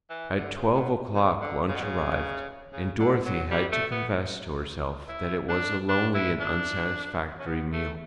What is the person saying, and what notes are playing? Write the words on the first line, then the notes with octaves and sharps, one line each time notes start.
At twelve o'clock lunch arrived, and Dorothy had to confess to herself that it was a lonely and unsatisfactory meal.
E3
D3
C#3
B2
C#3
D3
C#3
B2
C#3
C#3
D3
F#3
G3
A3
B3
E4
D4
D4
E4
D4
C#4
B3
A3